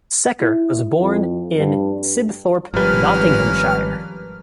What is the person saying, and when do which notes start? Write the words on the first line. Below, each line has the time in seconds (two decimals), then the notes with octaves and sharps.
Secker was born in Sibthorpe, Nottinghamshire.
0.41 E4
1.01 F2
1.59 G2
2.74 G#1 F3 G3 A#3 C#4 B4 F6